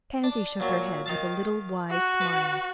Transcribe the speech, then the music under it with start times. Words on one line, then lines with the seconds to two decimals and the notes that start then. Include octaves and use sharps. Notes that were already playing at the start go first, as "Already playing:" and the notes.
Pansy shook her head with a little wise smile.
0.24 D4
0.60 A#2 F#3
1.06 D#3 F5 A5
1.90 F#4
2.21 B4